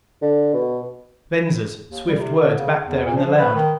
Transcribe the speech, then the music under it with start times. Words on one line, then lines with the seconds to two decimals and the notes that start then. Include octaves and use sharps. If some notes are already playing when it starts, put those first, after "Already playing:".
Venza's swift words back there in the lounge.
0.22 D3
0.54 B2
1.89 D#2
2.07 G3
2.19 C3
2.38 D3
2.58 C#3
2.87 E2
3.06 A#2
3.17 F3
3.39 B4
3.55 D#3